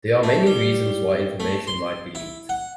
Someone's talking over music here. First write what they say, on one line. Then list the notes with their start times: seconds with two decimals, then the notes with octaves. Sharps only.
There are many reasons why information might be leaked.
0.23 A3
0.46 G3
1.40 A3
1.67 C6
2.15 E4
2.49 F#5